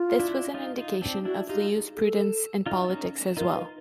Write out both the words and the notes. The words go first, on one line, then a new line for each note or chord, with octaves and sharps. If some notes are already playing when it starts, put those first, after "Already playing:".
This was an indication of Liu's prudence in politics as well.
Already playing: F4
D4 E4
D#4 F4
D#4 F4
C4 D4
D4 E4 F#4
D#4 F4 G4
G#4
A4
D#4 F4
C#4 D#4
D#4 F4 A#4
B4